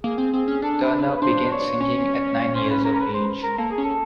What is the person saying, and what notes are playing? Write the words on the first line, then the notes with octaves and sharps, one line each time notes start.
Turner began singing at nine years of age.
A#3 G#4
C4
C4 G#4
C#4
D4 A4
B4
B4
B4
D4 C5
C#5
C#4 C#5
C#5
C5
B4
A#4
A#4
B4
C5
A#4
A#3 A4
G#4
C#4
A4